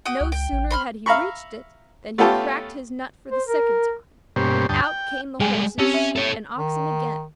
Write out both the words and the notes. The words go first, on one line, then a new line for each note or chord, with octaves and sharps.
No sooner had he reached it than he cracked his nut for the second time, and out came the horses, sheep, and oxen again.
F#4 G5 D#6
C#2
G5
A1
C5 B5 F6
E5 F5 A#5 B5 C#6
A3 B3 C#4 F4 G4 A4
C5
A#4
G2 B2 A#3 C#4 G4 C5
D2 G2 G5 A5 D#6
G5
G3 G#3 G#4 G5 G#5
C4 C#4 G4
E5
A4 C#5
D#3